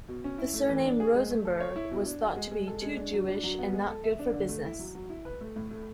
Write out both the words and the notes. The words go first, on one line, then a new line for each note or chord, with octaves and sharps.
The surname "Rosenberg" was thought to be "too Jewish" and not good for business.
B2
C#4
E4
A3
E3
D4
G#4
G#3
A3
A4
C#5
E4
B2
D4
F#4
G#3
G#3
A4
G#3
D4
F#3
D4
F#3
B3
G#3
A4
E5
D4
D3
A3
E4
F#3
F#3
E4
B4
A3
A2
A3